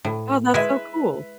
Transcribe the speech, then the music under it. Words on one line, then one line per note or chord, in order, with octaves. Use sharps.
Oh, that's so cool.
A2
G#3 E4 B4 E5 G#5